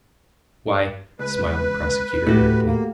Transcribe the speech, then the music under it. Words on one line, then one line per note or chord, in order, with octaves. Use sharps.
"Why?" smiled the prosecutor irritably.
C#2 B4
A2 A3 F#4 G4
A#3